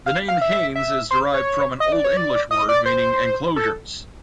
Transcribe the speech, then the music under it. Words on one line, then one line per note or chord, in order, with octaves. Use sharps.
The name 'Haynes' is derived from an Old English word meaning "enclosures".
F5
F5
E5
E5
C5
C#5
D#5
D5
C#5
D5
D#5
D5
C5
A4